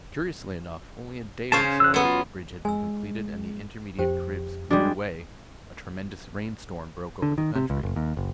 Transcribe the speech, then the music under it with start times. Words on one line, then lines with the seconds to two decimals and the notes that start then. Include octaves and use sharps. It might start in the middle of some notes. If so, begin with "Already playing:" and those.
Curiously enough, only a day or so after the bridge had been completed and the intermediate cribs cleared away, a tremendous rain-storm broke over the country.
1.52 C#3 C5 F5 A5 C#6
1.64 C#4
1.80 E6 F#6
1.94 F#3 B3 A4
2.05 F4
2.65 G#3 G#5 E6
3.99 F2 G4 C5 G5
4.70 G3 G#3 D4 F#4
7.22 D3
7.38 D#3
7.55 C3
7.70 C#2
7.83 F#1
7.96 D#2
8.17 F#1